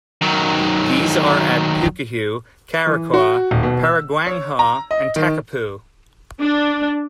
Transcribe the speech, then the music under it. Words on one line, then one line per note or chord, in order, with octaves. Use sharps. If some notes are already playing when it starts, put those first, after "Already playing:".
These are at Pukehou, Kairakau, Porangahau and Takapau.
D#3 F#3
E3
F#4
D#1
B2
E6
C#5
A#5
D#5
D#3
D4